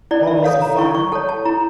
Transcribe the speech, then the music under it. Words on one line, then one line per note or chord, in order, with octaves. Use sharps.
Balls of fire?
E4 D5
E5
A4 C#5 F5
A#5
E4 C#6
C#6
A4 C#5 A5
A5
E4 A#5